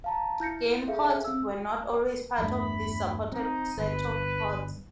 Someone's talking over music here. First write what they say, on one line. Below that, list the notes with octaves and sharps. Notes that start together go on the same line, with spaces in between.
Game ports were not always part of this supported set of ports.
F5 A5 A#5
E4 G6 A#6 C#7
G#4 A4 E5 F5
C4 E6
E2 G2 A3 B5
C4 D#4
G1 B4